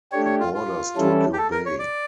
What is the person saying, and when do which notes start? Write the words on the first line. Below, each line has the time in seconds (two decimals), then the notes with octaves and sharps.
It borders Tokyo Bay.
0.12 A3 D4 G4 C#5
0.25 C#5
0.40 F4
0.54 F4
0.96 E3 G3 C#4 E4 A4
1.33 G4
1.38 A4
1.52 A#4
1.66 C#5
1.79 D5